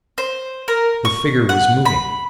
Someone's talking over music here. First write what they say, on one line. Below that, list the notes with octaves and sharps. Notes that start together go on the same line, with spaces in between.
The figure was moving.
C5
A#4
C#6
F#5
B5